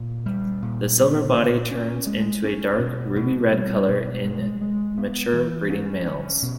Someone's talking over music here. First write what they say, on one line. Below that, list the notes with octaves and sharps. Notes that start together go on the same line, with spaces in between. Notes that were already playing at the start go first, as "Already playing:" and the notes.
The silver body turns into a dark ruby red color in mature, breeding males.
Already playing: A#2
G3
A#2
B3
A#2
C#4
G#3
C#4
B2
B2
G3
B2
G#3
G#3
B3
E3
C#4
C#4
B2